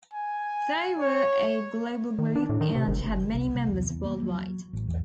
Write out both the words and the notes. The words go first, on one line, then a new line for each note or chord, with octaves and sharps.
They were a global group and had many members worldwide.
G#5
C#5
D#3
D4
A2
D#3
C3
G1
C2
C2
E2
E2
A#3
F#3
A1
E2